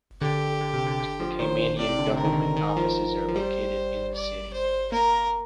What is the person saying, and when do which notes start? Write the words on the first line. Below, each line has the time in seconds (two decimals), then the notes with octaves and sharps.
The Caymanian government offices are located in the city.
0.21 D3 G4
0.61 D3
0.74 C3
0.86 D3
1.00 D3
1.20 F3
1.31 F3
1.39 D#3 C5
1.78 C3 D5
1.89 C3
1.99 D3
2.08 C3
2.17 D3 A#4
2.25 D#3
2.32 D3
2.56 D#3
2.77 F3
3.29 F3
3.35 G3 C5
4.14 D5
4.54 C5
4.92 A#3 A#4